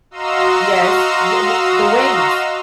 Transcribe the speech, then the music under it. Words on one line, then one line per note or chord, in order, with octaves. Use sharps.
Yes. Ye w the wings.
F#4 D#5 F5 A#5 C6 E6